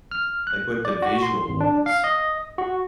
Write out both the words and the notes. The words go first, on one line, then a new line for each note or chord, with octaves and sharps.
like, what the visual was.
F6
F#6
D5
F#4
C6
G#1
D4
F5
D#5
F#4